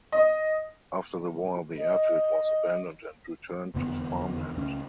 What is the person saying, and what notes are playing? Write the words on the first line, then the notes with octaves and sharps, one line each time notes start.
After the war the Airfield was abandoned and returned to farmland.
D#5
D#5
F1 E2 D3 B3
C#2 A3 C#4